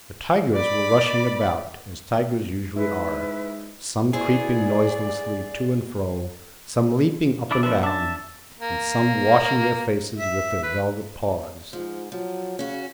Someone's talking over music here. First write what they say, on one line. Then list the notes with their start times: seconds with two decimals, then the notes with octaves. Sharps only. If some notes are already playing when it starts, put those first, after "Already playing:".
The tigers were rushing about, as tigers usually are; some creeping noiselessly to and fro, some leaping up and down, and some washing their faces with their velvet paws.
0.55 D5 B5
2.76 G#2 E4 B4
4.13 B3 E4 G#4 C5 D5
7.51 D4 E4 D5
7.63 F3 D4 B4 E5
7.83 D4 E5 A5
8.60 A#3
10.18 E5
10.63 B4
11.73 G#2 F3
12.12 F3 F#3
12.59 C#3 C#4 F#4